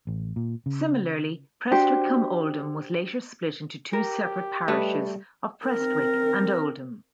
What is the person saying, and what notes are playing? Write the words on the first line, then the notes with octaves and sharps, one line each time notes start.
Similarly, Prestwich-cum-Oldham was later split into two separate parishes of Prestwich and Oldham.
A1
A#2
C#3
D4 F#4 G4 C5
G4 A#4
G3 A3 B4 D#5
C4 A#4